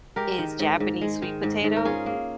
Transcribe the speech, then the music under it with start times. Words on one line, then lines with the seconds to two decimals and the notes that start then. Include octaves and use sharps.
is Japanese sweet potato.
0.16 G#3 G4 A#4
0.38 D#3
0.59 G#2
0.80 G#2
1.01 G#3
1.22 D#3
1.43 G#2
1.64 G#2
1.76 A#4
1.85 C#4 F4 G#4
2.06 A#3